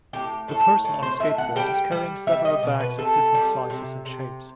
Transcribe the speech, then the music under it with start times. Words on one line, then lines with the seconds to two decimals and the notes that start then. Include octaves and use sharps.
The person on a skateboard is carrying several bags of different sizes and shapes.
0.13 A2 G4
0.48 A2 A4
0.85 A2
1.02 C5
1.20 A2 E5
1.38 F#5
1.56 G3 G5
1.92 G3
2.27 G3 E5
2.45 D#5
2.63 B2
2.80 B4
2.98 C3 A4
3.34 G3
3.70 C3
4.05 C3